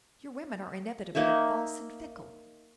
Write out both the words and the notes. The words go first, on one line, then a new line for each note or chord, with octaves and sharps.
Your women are inevitably false and fickle.
A#3 D#4 C#5 E5